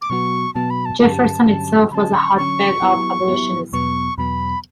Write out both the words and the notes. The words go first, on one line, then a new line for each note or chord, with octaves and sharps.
Jefferson itself was a hotbed of abolitionism.
D6
B2 F#3 B3 F#4 C#6
B2 F#3 B3 F#4 A5
B5
A5
G2 D3 F#3 C#4 G4 A5
G2 D3 F#3 C#4 G4
D3 F#3 C#4 A5 B5
C#6
D3 F#3 C#4 C#6
F#3 B3 E4 G4
F#3 B3 E4 G4
E2 B2 F#3 B3 C#6
E2 B2 F#3 B3 B5